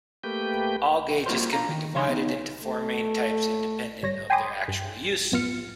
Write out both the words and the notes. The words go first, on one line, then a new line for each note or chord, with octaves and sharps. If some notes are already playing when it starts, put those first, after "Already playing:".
All gauges can be divided into four main types, independent of their actual use.
A3 A#3 G4 B4 G5 G6
A#3 F4 F#4 A#4 C5
D4 F5 A#5
D#3
C#3 F#3 D4 D#4 C#5 C6
B3 D#4
A3
G#1 G3 C#5 A#6
G5 G#5 B5 C6 D6 D#6
G2
F#2 A2 B3 F4 F6 C#7